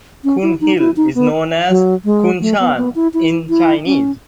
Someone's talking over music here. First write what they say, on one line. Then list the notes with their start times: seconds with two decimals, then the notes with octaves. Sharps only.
Kun Hill is known as Kunshan in Chinese.
0.24 C#4
0.42 E4
0.61 D#4
0.78 E4
0.97 D#4
1.15 B3
1.69 F#3
2.05 G#3
2.41 A3
2.60 B3
2.77 B3
2.95 E4
3.14 E4
3.49 E4
3.86 C#4